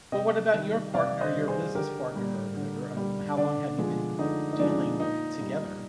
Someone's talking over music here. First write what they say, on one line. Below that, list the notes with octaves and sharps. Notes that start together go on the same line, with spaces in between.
Well, what about your partner, your business partner, or whatever, um, how long have you been dealing together?
C3 D#5 G5
D#3 G3
C3 D5 F5
C5 D#5
D#3 G3
G#4 C5
D3 G4 A#4
G3
D3
G3
D3 D4
F3 G#3
D3 D#4
D#4
F3 G#3 D4
A#2 D#4
G3